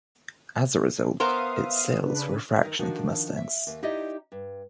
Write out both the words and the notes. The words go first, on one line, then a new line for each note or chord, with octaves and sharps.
As a result, its sales were a fraction of the Mustang's.
B3 A#4 C5 E5 F5 D#6
C#3 D4 B4
D#3 D#4 A#4
D#3 F3 D4 D#4 F#4
E5
D#2
D#4 E4 G4 D5 D#5
G2